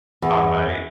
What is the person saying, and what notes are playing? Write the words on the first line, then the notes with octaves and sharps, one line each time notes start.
on my
E2